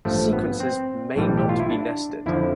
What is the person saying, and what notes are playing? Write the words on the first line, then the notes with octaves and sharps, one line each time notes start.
Sequences may not be nested.
A1 G2 F3 A3
B3
C4
B1 A2 E3 G3
G4
F4
E4
D4
F2 D3 F3 E4